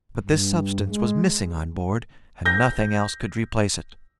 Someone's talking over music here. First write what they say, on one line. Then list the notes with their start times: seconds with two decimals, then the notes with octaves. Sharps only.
But this substance was missing on board and nothing else could replace it.
0.23 G2
0.89 G#3
2.45 G6 A#6